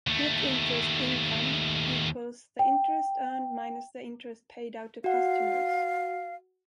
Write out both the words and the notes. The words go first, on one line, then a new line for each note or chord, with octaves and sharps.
Net interest income equals the interest earned minus the interest paid out to customers.
D#2 A3
G5
F#4 F5 F#5